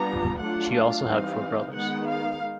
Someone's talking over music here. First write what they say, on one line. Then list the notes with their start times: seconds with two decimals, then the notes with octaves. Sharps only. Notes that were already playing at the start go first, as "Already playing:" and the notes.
She also had four brothers.
Already playing: G3 B3 D4 F4 A#5
0.41 F#3 A3 D4 F4 F#5
0.73 F5
1.07 E3 G3 C4 D#4
1.74 D#3 G#3 B3 D#4 F#5
2.08 F5